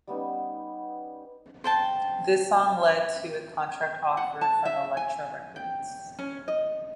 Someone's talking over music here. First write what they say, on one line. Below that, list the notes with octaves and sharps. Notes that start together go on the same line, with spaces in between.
This song led to a contract offer from Elektra Records.
G3 B3 C#4 D#4
C5 G5 A5
F#5
A5
E5
G#5
G5
C#4
D#5